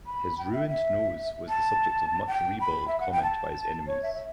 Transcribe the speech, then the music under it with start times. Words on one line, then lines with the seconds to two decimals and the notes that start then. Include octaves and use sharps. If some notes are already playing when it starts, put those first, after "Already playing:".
His ruined nose was the subject of much ribald comment by his enemies.
0.06 B5
0.38 G5
0.53 E5
0.69 E5
1.49 A5
2.27 G5
2.60 B5
2.88 E5
3.00 F#5
3.12 G5
3.23 A5
3.87 C#5
4.03 E5
4.14 E5